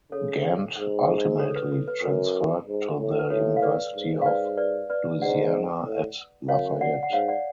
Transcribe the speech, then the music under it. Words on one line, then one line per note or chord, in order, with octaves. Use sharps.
Gant ultimately transferred to the University of Louisiana at Lafayette.
C#3 A4 C#5
G#2
A4 C#5
A4
B4
A4
B4
F#2
G#2
A2
B4
A2 A4 C#5
F5
B4 D5
G#2
F5
B4 D5
B4 D5
B4 D5
G#2 D5 F#5
A2
F#2 C#5 F5
D5 F#5
F#5
G#2 C#5 F5
D5 F#5